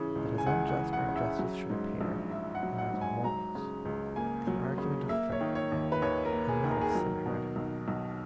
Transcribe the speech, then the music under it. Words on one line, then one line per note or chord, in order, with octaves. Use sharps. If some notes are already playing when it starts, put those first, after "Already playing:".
That as unjust our justice should appear In eyes of mortals, is an argument Of faith, and not of sin heretical.
Already playing: C#3 E3
C#2
G#5
C#2 F#5
F#5
E3
F#5
C#3
E5
F#3
G#2
A#1
A#1 E5
F#5
F#3
F#5
G#2
G#5
F#3 A#5
C#3
C#2
A#3 G#5
F#3
C#3
A#3 E5
C#5
D#3
C#5
D#2
B4
D#2 C#5
A#4
A#3
G#4
D#3
A#4
G#4
F#3 A#4
B2
B1
B1